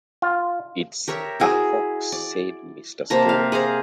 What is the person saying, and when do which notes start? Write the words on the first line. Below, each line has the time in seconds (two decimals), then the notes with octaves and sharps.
"It's a hoax," said Mr. Stone.
0.22 F4
1.08 G4 A#4 C#5 E5
1.40 E4 F#4 G#4 E5
2.12 D5
3.10 C3 A#3 A5 A#5
3.29 F5
3.52 G#4 C5 F5 A#5